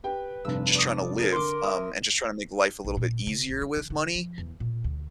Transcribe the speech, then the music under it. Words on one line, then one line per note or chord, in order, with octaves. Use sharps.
just trying to live, um, and just trying to make life a little bit easier with money
G4 B4 G5
F1 G2 E6
D5 C#6 D#6
G#4 A#4
D3 C6 D6
E5 D#6
A#1
A#2
C#3
A1
E4
D3
D3
F3
E2
A#2
D2